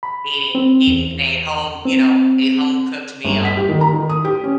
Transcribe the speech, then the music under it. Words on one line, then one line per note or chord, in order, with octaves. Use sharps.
eating eating a home, you know, a home-cooked meal,
B5
C4
E2
C4
G1
B6
G4
D#3
A#5
D#3
D#6
G4
C#4